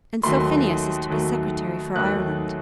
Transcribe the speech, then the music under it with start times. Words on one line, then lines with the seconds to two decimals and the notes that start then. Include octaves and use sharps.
And so Phineas is to be Secretary for Ireland!
0.23 D#2 D#3 F#3 A3 C6
1.10 D#2 D#3 F#3 A3
1.95 D#2 D#3 F#3 A3 F#6